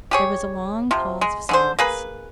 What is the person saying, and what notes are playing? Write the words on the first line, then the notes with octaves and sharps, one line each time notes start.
There was a long pause of silence.
G4 G#4 C#5
C3 F3
G#3
D3 G#4 C5
A#3 G#4 B4